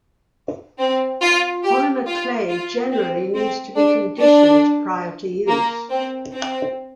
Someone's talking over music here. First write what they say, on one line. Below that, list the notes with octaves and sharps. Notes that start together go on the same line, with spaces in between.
Polymer clay generally needs to be conditioned prior to use.
C4
F4
G4
F4
F4
C4
C4
D4
D4
A#3
C4
C4